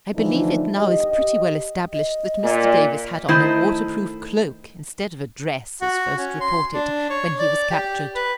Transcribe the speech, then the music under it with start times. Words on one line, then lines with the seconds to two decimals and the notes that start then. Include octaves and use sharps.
I believe it now is pretty well established that Mr. Davis had on a water-proof cloak instead of a dress, as first reported, when he was captured.
0.15 D3 E3 F3 A3 D4 D#4
0.78 G4 D#5
1.93 D#5
2.44 A#2
3.28 D#3 A3 E4 C5 D#5
5.81 F#4
6.18 C#4
6.40 C6
6.74 D4
7.10 C#5
7.39 D5
7.71 G4
8.15 B4